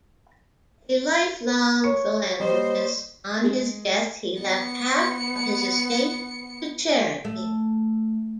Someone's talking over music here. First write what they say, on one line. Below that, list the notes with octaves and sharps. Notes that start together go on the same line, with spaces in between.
A lifelong philanthropist, on his death he left half of his estate to charity.
C#5 C#7
G3 A#3 C5 D#5
G#3
B3 C#7
A3